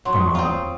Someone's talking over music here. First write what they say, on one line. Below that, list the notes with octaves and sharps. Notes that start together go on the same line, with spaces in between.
Come on!
F#3 C6
D#6
C#6
C4 F4
D#6